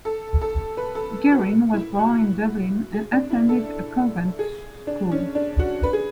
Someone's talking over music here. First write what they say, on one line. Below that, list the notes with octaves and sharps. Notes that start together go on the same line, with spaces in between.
Guerin was born in Dublin and attended a convent school.
A4
A4
B4
A4
F#4
E4
F#4
G#4
D4
E4
A4
G#4
D4
C#4
D4
F#4
B4
G#4